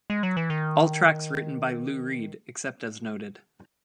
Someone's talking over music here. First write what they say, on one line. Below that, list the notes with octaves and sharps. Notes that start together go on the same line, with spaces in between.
All tracks written by Lou Reed except as noted.
G#3
F#3
E3
D#3